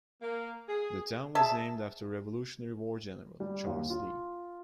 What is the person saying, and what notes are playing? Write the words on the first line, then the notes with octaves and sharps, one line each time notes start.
The town was named after Revolutionary War General Charles Lee.
A#3
G#4
G#4 E5 A5
G3
D#2
F4